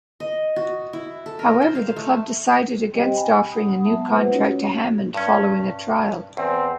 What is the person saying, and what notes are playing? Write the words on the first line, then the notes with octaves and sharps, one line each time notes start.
However, the club decided against offering a new contract to Hammond following a trial.
D#5
F#4
E4
A4
A#4
C5
F5
A3
G3 C4 G4 C5 D#5 G5
G#5 B5
F#5 B5 D#6
F#3 G#3 B3 E5 A5
G#3 A#3 F4 B4 C5 F#5
C#4 D#4 E4 F#4 C#5
G2 C#4
E2 C4